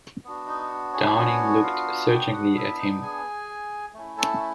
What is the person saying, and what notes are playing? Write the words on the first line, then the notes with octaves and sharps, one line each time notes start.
Downing looked searchingly at him.
B3 D4 F#4
D#4 D#5
C#4 C#5
C#4 C#5
F4 F5
G4 G5
F#4 F#5
E4 E5
D#4 D#5
G#4 G#5
A3 C#4 E4
A4 A5